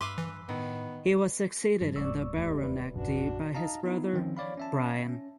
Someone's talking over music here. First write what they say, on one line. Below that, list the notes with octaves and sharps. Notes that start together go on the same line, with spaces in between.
He was succeeded in the baronetcy by his brother Bryan.
G2 B4 E5 F5 C6 D6
E3
A2 D#3 B3
G2 F3
D1 G#2 D5 C#6 E6
E2 C3 E3 G3 A3
D#2 B4
A#1 F#2 C#3 D4 F#4
D#4 D#5 F5 A5 A#5
B3 D#4 E4
D#3 F3 C4 C#4
C#5 D5 F5 B5
C#4 E5 A5
C#4